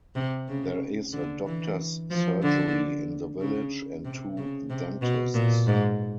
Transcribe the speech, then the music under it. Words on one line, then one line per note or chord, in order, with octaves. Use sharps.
There is a doctor's surgery in the village, and two dentists.
C3
C#3
D3
E3
F3
D3
C#3
C3
C#3
C3
B2
A#2
G#2